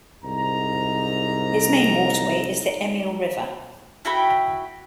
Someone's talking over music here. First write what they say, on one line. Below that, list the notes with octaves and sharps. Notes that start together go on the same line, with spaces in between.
Its main waterway is the Emil River.
C2 G#2 A#5
E4 F#4 G5 B5